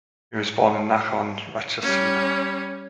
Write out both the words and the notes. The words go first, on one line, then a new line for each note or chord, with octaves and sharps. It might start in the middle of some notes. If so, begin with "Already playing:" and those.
He was born in Nakhon Ratchasima.
G3 C#4